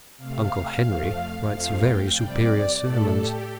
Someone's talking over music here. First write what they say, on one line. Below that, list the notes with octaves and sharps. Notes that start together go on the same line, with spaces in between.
Uncle Henry writes very superior sermons.
C3 A3 F5
F2 F3 A3
F2 F3 A3 F5
G5
C3 G3 D5
A2 A3 A4
G4